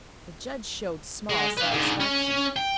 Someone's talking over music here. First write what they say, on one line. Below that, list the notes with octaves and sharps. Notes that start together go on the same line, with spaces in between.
The judge showed small satisfaction.
G#3
B4 F5
G#2 D3
C#4
G5